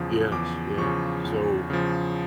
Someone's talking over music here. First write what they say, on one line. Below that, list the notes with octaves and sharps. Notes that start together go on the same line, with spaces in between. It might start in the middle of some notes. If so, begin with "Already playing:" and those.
Yes, yeah, so,
Already playing: E2 C#3 F3 D#6
E2 D6
C#3 F3 C#6
E2
C#3 F3